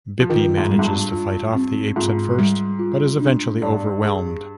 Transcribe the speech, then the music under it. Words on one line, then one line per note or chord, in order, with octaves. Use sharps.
Bippy manages to fight off the apes at first, but is eventually overwhelmed.
F3
D#3 F4
G#2
G3
G#2
G2
F4
C4
G#2 F4
G3
F4
D4
G2 D5
G#4